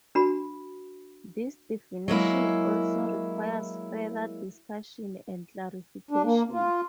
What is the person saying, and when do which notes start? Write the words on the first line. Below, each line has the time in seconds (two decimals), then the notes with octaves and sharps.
This definition also requires further discussion and clarification.
0.15 D4 F#4 B5
2.08 F#3 G#3 A#3 E4
6.11 D4
6.24 A#3
6.52 F4